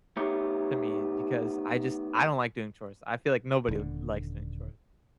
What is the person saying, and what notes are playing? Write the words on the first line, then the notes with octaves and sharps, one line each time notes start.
to me because I just I don't like doing chores. I feel like nobody likes doing chores,
A3 B3 D#4 G4 C#5
D#1 D3